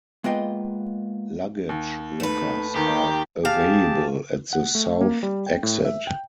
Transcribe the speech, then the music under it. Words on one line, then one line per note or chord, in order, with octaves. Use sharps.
Luggage lockers are available at the south exit.
G#3 A#3 B3 F4 D#5 G5
D#2
A3 D#4 B4
D#2 D#3 G4 A#5
G4 G#4 F5 A5
F#5
A3
A#3
G3
G5
A2
E5
G5